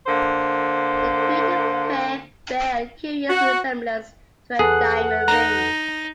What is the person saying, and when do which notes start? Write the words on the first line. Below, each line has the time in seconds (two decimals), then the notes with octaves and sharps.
The crater pair bear a curious resemblance to a diamond ring.
0.07 D3 A#3 C5
3.30 F#4
4.59 E2 G#4 A4 B4 F#5
5.28 D#4 A#5